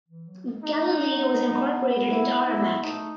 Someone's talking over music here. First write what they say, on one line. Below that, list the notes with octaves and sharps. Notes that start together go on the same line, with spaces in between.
Galilee was incorporated into Aramac.
E3
F#3
G#3
A3 D#4
C#4
B3
E4
E4
A3 D#4